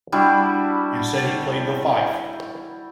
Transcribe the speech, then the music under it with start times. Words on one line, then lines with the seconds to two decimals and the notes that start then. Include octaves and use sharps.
And said he played the fife.
0.12 G3 D4 E4 F#4